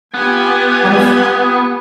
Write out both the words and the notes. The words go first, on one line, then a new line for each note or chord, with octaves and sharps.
One of
B3 F4 G4 G#5